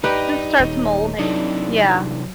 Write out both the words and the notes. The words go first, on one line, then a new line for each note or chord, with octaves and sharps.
It starts molding, yeah.
G2 D#4 G4 B4
D#1 C#5 D#5
C3 E3 F#3 D4 D#4 A4